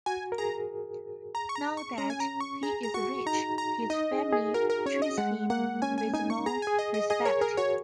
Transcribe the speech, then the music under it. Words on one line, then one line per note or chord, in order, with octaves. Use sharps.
Now that he is rich, his family treats him with more respect.
F#4 G#5
A#4
G#4 A#5
A#5
C#6
A#5
C#6
C#4 A#5
G#5
A#5
C#6
G#4 A#5
A#5
F#4 C#6
D#4 A#5
A#5
D#4 D#5
G#4
G#4
F#4 A#4
A#4
C#4 C#5
D#5
G#3 F#5
A#3 F#5
C#4 G#5
G#5
D#4 G#5
C#6
G#4 A#5
G#4 G#5
D#5
D#5
G#4 D#5
A#4 C#5
G#4 A#4
F#4 C#5